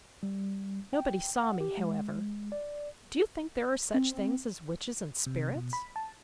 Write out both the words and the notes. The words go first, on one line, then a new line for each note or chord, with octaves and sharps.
Nobody saw me, however.--Do you think there are such things as witches and spirits?
G3
G5
F#5
G4
G#3
D5
C4
C3
B2
B5
A5